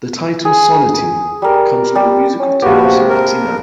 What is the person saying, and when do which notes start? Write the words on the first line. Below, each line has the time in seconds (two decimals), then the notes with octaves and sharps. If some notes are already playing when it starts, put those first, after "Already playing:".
The title "Sonatine" comes from the musical term sonatina.
0.45 G#4
1.42 G3 A#4
1.95 G3 E6
2.40 C#4
2.62 A#1 B3 F#4 G4
2.84 C3
3.08 A#4